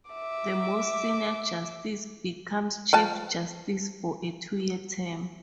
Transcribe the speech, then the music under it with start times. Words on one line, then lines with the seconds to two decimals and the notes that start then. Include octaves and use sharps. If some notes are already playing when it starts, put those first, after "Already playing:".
The most senior justice becomes Chief Justice for a two-year term.
0.11 E5 D6
2.93 F3 B4 A5